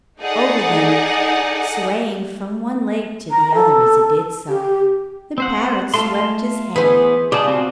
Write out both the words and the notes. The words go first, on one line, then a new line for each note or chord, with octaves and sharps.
Over them, swaying from one leg to the other as he did so, the parrot swept his head.
D#4 G#4 A4 D5 F#5
A#5
A4
G4
C4 C5 F#5
A3 F4 A5 C6
E3 B3 G#4 B4 C5
C#3 G4 G#4 D5 A5
C4 F4 F#4